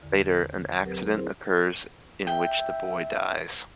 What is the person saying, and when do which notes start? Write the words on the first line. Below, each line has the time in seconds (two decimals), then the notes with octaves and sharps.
Later, an accident occurs in which the boy dies.
0.02 E2 D3
0.82 F#3 C4 G4 A#4 B4
1.14 C4 E4 G#4 A#4 C5
2.27 E5 G5